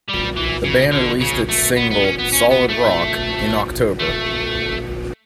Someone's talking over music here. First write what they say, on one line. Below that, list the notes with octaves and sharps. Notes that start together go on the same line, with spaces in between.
The band released its single "Solid Rock" in October.
G3
E3
C#3
D3
C#3
A3
B3
B3
C#4
B3
C#4
B3
A3
A3